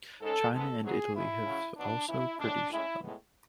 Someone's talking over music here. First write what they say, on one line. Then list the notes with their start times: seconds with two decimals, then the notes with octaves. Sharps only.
China and Italy have also produced them.
0.21 G#2 G#3 C#4 A4
0.52 G#2 G#3 B3 A4
0.83 G#2 F#3 B3 G#4
1.14 E2 C#3 G#3 B3 E4
1.45 C#3 F#3 C#4
1.76 B2 F#3 B3 D4
2.08 C#3 E3 G#3 E4
2.39 A2 G#3 C#4 D4
2.70 A2 G#3 C#4 E4
3.01 A2 G#3 B3